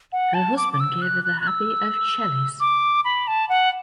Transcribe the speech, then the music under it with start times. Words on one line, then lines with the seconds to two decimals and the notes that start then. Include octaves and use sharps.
Her husband gave her the Abbey of Chelles.
0.13 F#5
0.34 A5
0.57 D6
0.73 D6
0.80 E6
1.02 F#6
1.25 F#6
1.41 F#6
1.47 E6
2.60 D6
3.05 B5
3.27 A5
3.49 F#5